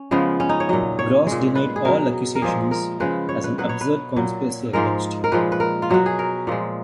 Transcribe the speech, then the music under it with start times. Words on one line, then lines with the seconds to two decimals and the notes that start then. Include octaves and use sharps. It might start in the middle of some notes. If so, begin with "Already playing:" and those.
Gross denied all accusations as an absurd conspiracy against him.
Already playing: C#4
0.11 C#3 F3 G#3 B3
0.40 C#4
0.49 D#4
0.60 C#5
0.69 A#2 F#3 D#5
0.99 C#5
1.27 A#2 G#3
1.55 B4
1.76 G#4
1.85 B2 F#3 A#4
2.35 A#4
2.42 A#2 F3 G#3 G#4
2.71 A#4
3.00 C#3 F3 G#3 B4
3.29 C#5
3.44 B4
3.58 B2 F#3 B4
3.69 C#5
3.81 B4
4.16 A#2 F#3
4.73 G#2 F3 G#3 A#4
5.24 A#4
5.32 A#2 F3 G#3 B4
5.52 B4
5.60 A#4
5.82 F4
5.90 B2 F#3 F#4
6.06 G#4
6.19 A#4
6.47 A#2 F3 G#3